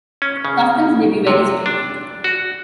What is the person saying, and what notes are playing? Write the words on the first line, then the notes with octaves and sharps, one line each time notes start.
Customs may be very strict.
C#4
C#3
C3
D4
F#4